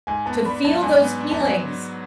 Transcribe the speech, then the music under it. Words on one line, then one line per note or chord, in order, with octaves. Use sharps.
to feel those feelings.
G#2 G#5
B3 A5
D4 B5
F#3 A5
G#2 G#5
B3
D4
A5
F#3 G#5